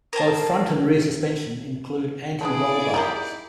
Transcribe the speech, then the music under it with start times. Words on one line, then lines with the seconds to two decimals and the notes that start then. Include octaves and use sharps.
Both front and rear suspension include anti-roll bars.
0.13 A#4 C5 G5 A5
2.41 G#3 B3 D4 E4 G#4 D5
2.94 D#4 F4 G4 A#4